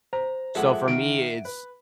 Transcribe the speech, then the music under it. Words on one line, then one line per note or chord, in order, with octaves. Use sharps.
So for me, it's
C5 A#5
F3 G#3 A4 E5 F#5 D6
D#3 D7
B4